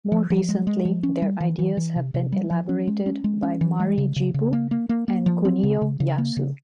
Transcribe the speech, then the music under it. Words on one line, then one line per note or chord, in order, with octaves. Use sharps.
More recently, their ideas have been elaborated by Mari Jibu and Kunio Yasue.
F3
F3
G#3
G#3
F3
C#4
G3
E3
E3
E3
C3
C3
G3
F3
C#4
G#3
C#4
G#3
C#4
E3
G#3
C#3
C#3
C#3
A#3
A#3
A#3
A#3
F3
C4
C#3
C#3
C#3
A#3
C#3